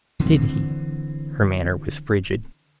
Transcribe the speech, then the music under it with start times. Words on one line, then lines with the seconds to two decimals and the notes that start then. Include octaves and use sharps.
"Did he?" Her manner was frigid.
0.20 D3 E3 C4